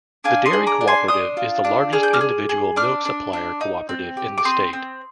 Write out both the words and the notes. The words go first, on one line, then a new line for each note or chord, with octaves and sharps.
The dairy cooperative is the largest individual milk supplier cooperative in the state.
D4 F5 G#5
C6 D#6
G#4
A#5 D6
D4
G#5 C6
D4 C6 D#6
F4
D4
G#4 F6
G6
D6 F6
G#4
G#4
D4 D6 F6
D4
D4
D#4
C4
G4
D6
C4 C6 D#6
C4